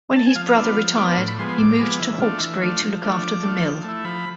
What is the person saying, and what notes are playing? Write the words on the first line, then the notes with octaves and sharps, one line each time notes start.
When his brother retired, he moved to Hawkesbury to look after the mill.
A5
G#5
F3 F5
F5
B3 D4 F4 E5
F3 F5
B3 D4 F4 D6
A2 C6
B5
F3 G#3 B3 C6
C6
A2 D6
F3 G#3 B3
E3
A3 D4 F4
E3
A3 D4 F4
F3
A3 D4 F4
F3 D6
A3 D4 F4
F3
A3 E4
F3 B5